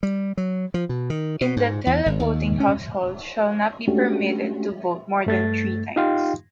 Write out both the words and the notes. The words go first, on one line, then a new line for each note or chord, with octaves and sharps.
In the televoting household shall not be permitted to vote more than three times.
G3
F#3
F3
B2
D#3
B2
G#2
E2
G#1
D#2
C#4
G#3 A3 C#4 D4 F#4 G4
G2 A3 A6
D#4 F4 G4 F5 G5 C6